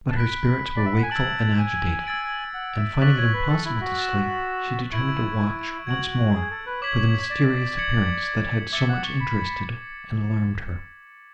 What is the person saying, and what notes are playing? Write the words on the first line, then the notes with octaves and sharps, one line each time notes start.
But her spirits were wakeful and agitated, and, finding it impossible to sleep, she determined to watch, once more, for the mysterious appearance, that had so much interested and alarmed her.
A5
B5 F#6 B6 D7
D5
E5
F#5
G#5
A5 E6 G#6 D7 F#7
G#5
E6 A6 D7
F#5
E5
D5 C#6 F#6 B6 F#7
C#5
B4
A4
E4
F#4
E6 A6 E7
E4 C#6 G#6 D7 F#7
F#4 G#6 D7 F#7
G#4
A4
B4
C#5 D6 G#6 B6 F#7
D5
G#6 C#7 F#7
E5 D6 A6 C#7
F#5
C#6
B5